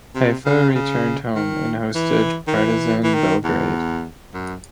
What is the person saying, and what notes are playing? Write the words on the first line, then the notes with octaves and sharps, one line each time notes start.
Haifa returned home and hosted Partizan Belgrade.
C3
C#3
C3
C#3
D#3
E3
D#3
E3
E3
D#3
E2
F#2